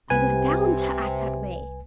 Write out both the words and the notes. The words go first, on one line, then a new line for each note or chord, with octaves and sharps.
I was bound to act that way....
C2 C3 B4 G#5